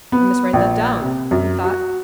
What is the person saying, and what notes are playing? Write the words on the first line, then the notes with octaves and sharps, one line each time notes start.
"I must write that down," he thought.
B3
A#1
C3
F#2
F#4